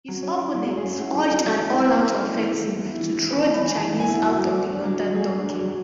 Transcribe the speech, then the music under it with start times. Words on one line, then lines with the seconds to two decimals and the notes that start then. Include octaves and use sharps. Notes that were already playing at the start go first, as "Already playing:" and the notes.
His opponents urged an all-out offensive to throw the Chinese out of northern Tonkin.
0.08 F#3
0.23 C#4
0.39 E4
0.54 F#3 D5
0.70 F#3
0.77 G#4
0.85 C#4
1.00 E4 F#4
1.15 F#3 G#4
1.25 A4
1.31 F#3 G#4
1.47 C#4 A4
1.62 E4
1.77 F#3
1.93 F#3
2.07 C#4
2.23 E4
2.38 E3 A4
2.54 E3
2.69 B3
2.85 E4
3.00 E3
3.16 E3
3.31 B3 B4
3.43 A5
3.46 E4
3.54 B5
3.62 E3 G#5
3.76 E3 A5
3.92 B3
4.00 G#5
4.08 E4 F#5
4.22 F#3 F#5
4.38 F#3
4.46 D5
4.53 A3
4.69 D4
4.84 F#3
5.00 F#3
5.14 A3 G#4
5.31 D4
5.46 F#3
5.61 F#3